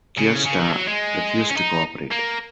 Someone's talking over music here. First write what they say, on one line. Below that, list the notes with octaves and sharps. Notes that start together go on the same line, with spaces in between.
Cuesta refused to co-operate.
C#3
C#3
D#3
F#3
G#3
C#4
D#4
A#3